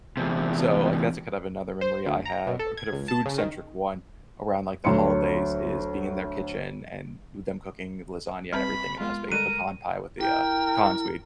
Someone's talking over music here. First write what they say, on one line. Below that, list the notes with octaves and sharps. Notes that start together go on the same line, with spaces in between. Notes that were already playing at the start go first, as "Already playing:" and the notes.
So, like, that's a kind of another memory I have, a kind of food-centric one around, like, the holidays is being in their kitchen and with them cooking lasagna and everything, and us making pecan pie with the, uh, pecans we'd,
E2 C3
C5
D2
A#5
B2
A4
G#6
C#2
A5
C#3
D#3
D2 F#3 C#5 C6 C#7
G3 C4 B4 B5
G#3 B3 F4 A#4
D3 G3 G#3 A4 A#4 D#7
E4 A#4 G5